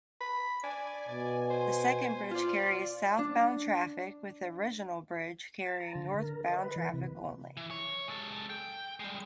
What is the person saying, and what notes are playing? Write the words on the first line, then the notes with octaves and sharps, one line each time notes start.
The second bridge carries southbound traffic, with the original bridge carrying northbound traffic only.
B5
D5 G#5
B2 D5
C5
F4 D5
D4
A5
A#5
D3
A#4
D#5
B4
E3
C3
E3
C#5
G#3 A4
G5
G3 G#3